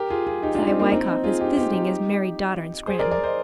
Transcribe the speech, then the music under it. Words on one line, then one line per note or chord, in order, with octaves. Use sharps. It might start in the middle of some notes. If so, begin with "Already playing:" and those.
Cy Wykoff is visiting his married daughter in Scranton.
Already playing: G4 A#4
F4 G#4
F4 G#4
D#4 G4
D4 F4
C4 D#4
A#3 D4
C4 D#4
C4 D#4
F4 G#4
D#4 G4
D#4 G4
D#4 G4
G#4 C5
A#4 D5
A#4 D5
C5 D#5